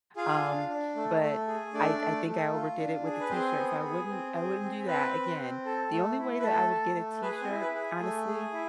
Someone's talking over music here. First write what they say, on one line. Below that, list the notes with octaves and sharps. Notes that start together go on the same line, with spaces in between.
Um, but I I think I overdid it with the t-shirt, so I wouldn't I wouldn't do that again. The only way that I would get a t-shirt, honestly,
F4 G#4 F5
D4
D4
A3
A3
G#4
A3 D4 D5
A3
A3
F4
D4
G#4
B4
C4 G#4 C5
B3
G#4
C4
G#4
C4
C4 B4
C4
C4
A4
A3
E4
B4
A3 A4
A4
A3
G#4 B4
C4 C5
E4
B4
G#4
A3
G#4
E4